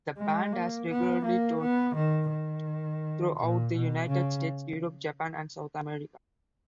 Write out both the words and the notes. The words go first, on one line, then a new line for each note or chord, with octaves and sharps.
The band has regularly toured throughout the United States, Europe, Japan, and South America.
G#3
A#3
B3
A#3
B3
D#3
D#3
A#2
B2
C#3